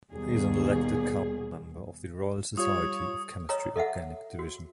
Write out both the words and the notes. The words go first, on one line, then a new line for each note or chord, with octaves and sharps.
He is an elected council member of the Royal Society of Chemistry organic division.
D#2 B2 G3 G#4
G3 F4 C#5 D#6
C#5 D#5 A#5 D#6
A4 D#5 E5 F#5
F#4